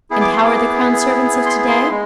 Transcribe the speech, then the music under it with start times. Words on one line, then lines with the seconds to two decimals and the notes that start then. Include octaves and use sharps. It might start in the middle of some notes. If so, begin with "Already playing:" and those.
And how are the crown servants of to-day?
0.11 B3 E4 G#4
0.21 D6
0.33 C6
0.45 D6
1.46 C6
1.68 C6
1.91 G#3